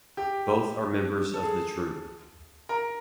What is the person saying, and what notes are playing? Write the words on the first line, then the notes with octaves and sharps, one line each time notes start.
Both are members of the troupe.
G4
A4
G#4
A#4